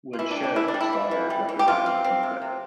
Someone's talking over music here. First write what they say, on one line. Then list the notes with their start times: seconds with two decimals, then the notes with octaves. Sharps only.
When Sheriff Slaughter reprimanded him, he quit.
0.13 F4
0.19 E3 E4
0.31 D4
0.37 G3
0.43 D4
0.56 E3 E4
0.68 D4
0.74 G3
0.81 E4
0.93 E3
1.11 E3
1.30 G3
1.49 E3
1.59 G4
1.67 C3 F4
1.86 C4
2.04 C4
2.23 C3
2.42 C3